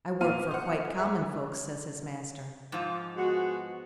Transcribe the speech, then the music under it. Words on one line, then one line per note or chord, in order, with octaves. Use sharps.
I work for quite common folks,' says his master.
A#2 F5 F6 D#7
C5 F#5
G#4 E5
G#2 F3
G#3 B3 F#4